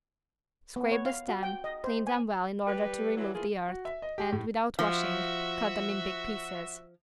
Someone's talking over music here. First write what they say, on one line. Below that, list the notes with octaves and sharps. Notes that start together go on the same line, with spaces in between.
Scrape the stem, clean them well in order to remove the earth and, without washing cut them in big pieces.
B3
C#5
F5
F#4
G5
D#5
C5
G#5
G3 G4 B4
E3 F#3
A2 E3 G#3 A#3 F4 G#4
F#4
E5
D#5
G4
A2
F3 F#4 E5